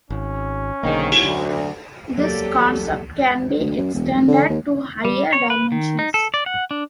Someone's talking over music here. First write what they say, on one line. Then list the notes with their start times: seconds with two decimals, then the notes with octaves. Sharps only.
This concept can be extended to higher dimensions.
0.10 G#1 C#4
0.83 B1 G#2 D3 D#3 A#3
1.22 D2 D3 F#3
2.18 F#3 A#3 G4 A4 D5
3.60 D2
3.78 F#2
3.94 E1
4.15 F1
4.28 D3
4.49 D#2
5.05 G3
5.33 C#5
5.50 B4
5.72 D#3
5.99 D#4
6.14 A4
6.34 D5
6.46 F#5
6.71 D4